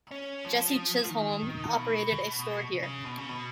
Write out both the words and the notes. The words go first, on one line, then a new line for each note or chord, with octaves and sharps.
Jesse Chisholm operated a store here.
C#4
F3
D#3
B2
B2
C#3
B2
C#3
B2